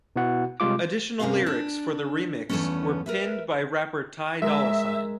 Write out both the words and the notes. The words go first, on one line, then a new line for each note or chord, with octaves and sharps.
Additional lyrics for the remix were penned by rapper Ty Dolla Sign.
B2 B3 E4 F#4 F#5
C3 G3 G#3 F4 D6
G2 C3 C#4 G#4 A#4 F5
D4
E2 G2 A#2 A3 B3 C#4
A#4 B4 E5
G#3 A#4 E5